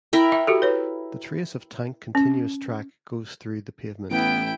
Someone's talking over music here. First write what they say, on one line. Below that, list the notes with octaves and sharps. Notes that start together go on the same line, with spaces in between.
The trace of tank continuous track goes through the pavement.
E4 A#4 G5
E5
F#4 G4 A4
B4 C#5
C#4
A1 B3 E4 G5 D7